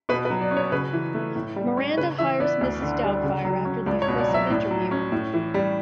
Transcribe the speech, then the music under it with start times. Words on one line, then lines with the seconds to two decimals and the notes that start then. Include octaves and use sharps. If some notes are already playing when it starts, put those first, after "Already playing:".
Miranda hires Mrs. Doubtfire after the impressive interview.
0.09 B2 B4
0.25 B4
0.30 F#3
0.41 D5
0.51 C#4
0.57 C#5
0.72 C#3 B4
0.93 E3
1.14 A3
1.36 A2
1.56 G3
1.77 C#4
1.98 C#3 B4
2.19 E3 E5
2.40 B3 D5
2.61 D2
2.82 D3
3.03 G3
3.24 C#3
3.45 F#3
3.65 C#4
3.86 C#2 D5
4.02 C#5
4.08 B2
4.18 D5
4.28 F#3
4.34 E5
4.50 A2 D5
4.71 F#3
4.91 C#4
5.12 A2
5.34 E3
5.54 G3